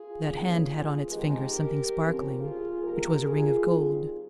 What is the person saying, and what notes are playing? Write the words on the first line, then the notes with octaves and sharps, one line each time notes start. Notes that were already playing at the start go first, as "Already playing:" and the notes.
That hand had on its finger something sparkling, which was a ring of gold.
Already playing: F4 G#4
G2 D#3 A#3 C#4
F2 D#3 G#3 C4 G4 A#4
D#2 C#3 F3 C4
F4 G#4
C3 F3 G#3 G4 A#4
F4 G#4
G2 D#3 G3 C4 F4 G#4